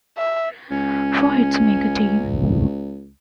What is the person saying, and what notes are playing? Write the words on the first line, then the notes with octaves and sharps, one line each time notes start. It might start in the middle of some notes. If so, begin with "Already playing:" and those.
Four hits make a team.
E5
C#2 C#4